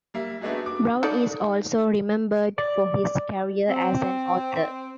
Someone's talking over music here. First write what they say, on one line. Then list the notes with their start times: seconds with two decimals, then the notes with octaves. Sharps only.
Brown is also remembered for his career as an author.
0.14 G3 A#3 E5
0.41 A3 B3 D4 D#4 F#4 G#4
0.65 F#4 D6
1.03 D#4 A4 D5
2.58 D5
3.68 C4